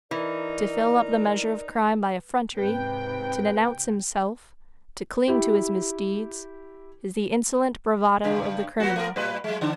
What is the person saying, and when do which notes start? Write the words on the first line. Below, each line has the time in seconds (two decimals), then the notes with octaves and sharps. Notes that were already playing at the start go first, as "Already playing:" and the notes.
To fill up the measure of crime by effrontery, to denounce himself, to cling to his misdeeds, is the insolent bravado of the criminal.
0.11 E3 D#4 A#4 D5
2.56 G#2 C3 B4 G5
5.28 E4 G4
8.24 G2 C#3
8.80 A#3 F#4
8.96 A3 B3 A#4
9.16 A2 G3 B4
9.44 F#3 G#3
9.61 D3 D4